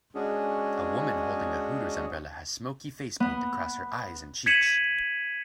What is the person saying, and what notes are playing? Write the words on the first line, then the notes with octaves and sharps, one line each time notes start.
A woman holding a Hooters umbrella has smokey facepaint across her eyes and cheeks.
G#3 C#4 D4 F#4 G#4
B3
G#6 B6 C#7 D#7 E7 F#7